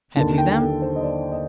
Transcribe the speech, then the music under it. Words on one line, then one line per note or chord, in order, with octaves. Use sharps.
"Have you them?"
D#2 D3 A5
G5
A4
C5
D#5
D5
D#5